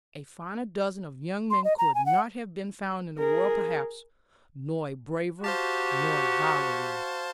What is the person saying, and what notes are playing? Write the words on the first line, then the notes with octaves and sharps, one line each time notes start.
A finer dozen of young men could not have been found in the world perhaps, nor a braver, nor a viler one.
C6
D#5
A#5
G#5
F#5
G#4 A#4
F#4 G4 C5 F5 A5